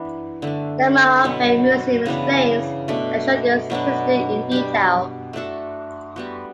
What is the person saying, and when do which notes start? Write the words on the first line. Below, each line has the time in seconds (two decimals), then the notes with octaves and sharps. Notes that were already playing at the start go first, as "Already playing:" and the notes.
The Mahone Bay Museum explains and shows this history in detail.
Already playing: E3 B3 D4
0.42 D3 A3 D4
1.24 B2 F#3 B3
2.06 C#3 E3 B3 D4
2.88 B2 A3 D4
3.70 B2 F#3 B3 D4
4.51 G3 D4 G4
5.33 A3 D4 F#4 A4
6.16 G3 B3 F#4